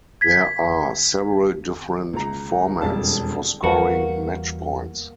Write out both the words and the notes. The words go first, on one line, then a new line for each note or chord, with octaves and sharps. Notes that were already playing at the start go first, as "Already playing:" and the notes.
There are several different formats for scoring match points.
G#6 B6
C#2 A#5
E1 F2 G3 D4 A5
E2 G3 A#3 F#4 B4